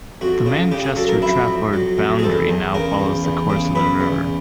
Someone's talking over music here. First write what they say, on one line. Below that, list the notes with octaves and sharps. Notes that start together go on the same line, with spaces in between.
The Manchester-Trafford boundary now follows the course of the river.
F2 F#4
C#3
C#3 G4
G#4
F#3 A4
A#4
F2 E4
F2
F#3
F2
G#4
E2 A4
E2
C#3 A#4
E2
E2
C#3
C#3 B4
E2